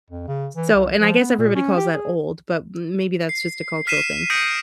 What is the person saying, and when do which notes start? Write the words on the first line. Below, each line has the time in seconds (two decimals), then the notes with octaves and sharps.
so and I guess everybody calls that old, but m maybe that's just a cultural thing,
0.10 F2
0.28 C#3
0.56 E3
0.74 C2
0.99 F3
1.20 B3
1.38 A#2
1.55 C#4
1.77 G4
1.94 G#4
3.29 C7
3.87 F6 B6 C7 D#7 E7
4.30 D#6 G6 A#6 B6 C#7 D7